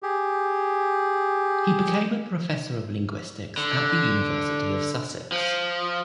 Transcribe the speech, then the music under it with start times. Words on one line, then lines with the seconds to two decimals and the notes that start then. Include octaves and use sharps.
He became a professor of linguistics at the University of Sussex.
0.03 G4 G#4
3.57 D3
5.32 F3